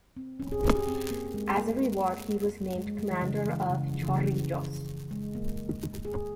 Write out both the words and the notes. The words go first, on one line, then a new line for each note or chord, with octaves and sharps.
As a reward, he was named Commander of Chorrillos.
C4
C#4
G#4
G#4
G4
C4
A#3
G#3
A#3
G#3
G#3
G3
E3
C#3
E3
C#3
F3
E3
C#3
E3
G#3
A#3
G#4